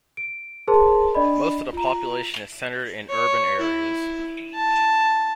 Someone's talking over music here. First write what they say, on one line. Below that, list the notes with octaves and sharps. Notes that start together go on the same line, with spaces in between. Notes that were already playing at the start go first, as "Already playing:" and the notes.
Most of the population is centered in urban areas.
D7
G#4 A#4 C5 A5 C6
D4 D5 D#5 B5
F4 A#5
C#5
E4
A5